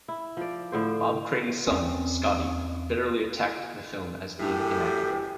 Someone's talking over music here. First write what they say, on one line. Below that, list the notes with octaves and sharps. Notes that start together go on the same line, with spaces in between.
Bob Crane's son, Scotty, bitterly attacked the film as being inaccurate.
E4
F3 D5
A2 D3 C5
E2 C4 C#4
F#2 A2 G4